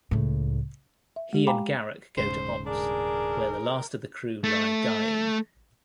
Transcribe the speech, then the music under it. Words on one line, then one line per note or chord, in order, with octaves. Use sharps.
He and Garak go to Ops, where the last of the crew lie dying.
C#2 A2
E5
G#3 G4
F5 G5 G#5 A#5 B5 D6
D#1 G#2 C#3 C5
D4 G#4 A#4
A3